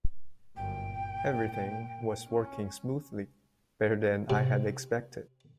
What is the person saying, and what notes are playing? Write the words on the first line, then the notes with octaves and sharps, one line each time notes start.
Everything was working smoothly, better than I had expected.
G1 F#2 G5
A#2
C#4
C3